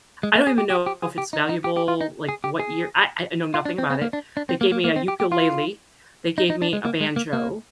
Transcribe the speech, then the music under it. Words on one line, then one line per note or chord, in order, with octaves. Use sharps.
I don't even know if it's valuable. Like what year I I know nothing about it. They gave me a ukulele. They gave me a banjo.
G#3
A#3
G#4
G4
G4
G4
G#4
G4
D#4
D#4
G4
G4
F4
D#4
G#4
G4
G#4
F4
D4
C4
C4
A#3
D4
D4
C4
A#3
A#3
A#3
C4
G4
G4
F4
D#4
D#4
D4
G#3
A#3
G#3
A#3
A#3